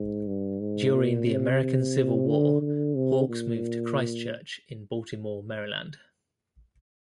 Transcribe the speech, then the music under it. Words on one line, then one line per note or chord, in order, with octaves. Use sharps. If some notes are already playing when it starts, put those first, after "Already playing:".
During the American Civil War, Hawks moved to Christ Church in Baltimore, Maryland.
Already playing: G#2
G2
G#2
A#2
C3
D3
D3
C3
A#2